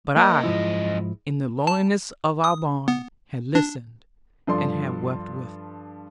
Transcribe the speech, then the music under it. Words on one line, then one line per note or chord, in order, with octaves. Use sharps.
But I, in the loneliness of our barn, had listened, and had wept with him.
F#2 A#3 D#5
G#2 F3 E4
A5
D#6
B3
D4
G2 F3 A4 D5 C6